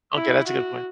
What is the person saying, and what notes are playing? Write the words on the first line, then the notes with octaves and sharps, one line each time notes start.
Okay, that's a good point.
E4
F#4